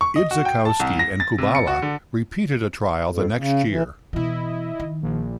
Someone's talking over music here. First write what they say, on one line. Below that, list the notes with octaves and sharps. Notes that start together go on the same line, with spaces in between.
Idzikowski and Kubala repeated a trial the next year.
C#6
D#5
F#4
G5
A5
C2
A#6
A6
C3
C#7
F#4
D3
F2
C#3
E3
B2 E3 E4 D#5
D#3
A#1